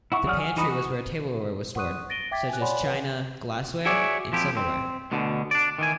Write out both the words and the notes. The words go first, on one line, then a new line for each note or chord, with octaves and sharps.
The pantry was where tableware was stored, such as china, glassware, and silverware.
E4 F#5 C#6
F#3 G#4 D5 F#5 F6
G#5
E3 D#4 F#4 B5 D#6
F#4
F#5 C6 C#6 D#6 F#6 D#7
A6 A#6 D7 D#7 G7
E5 G5 D6 G#6 A6 B6
G#5 F#6
C#5 D5 F#5 G#5 B5 C6
B4 C#5 F#5
E4 F#4 G#4 C#5 D5 E5
F2 F3 E4 G4
C4
D2 B2 D3
D4 D5
D#3 E3 G#5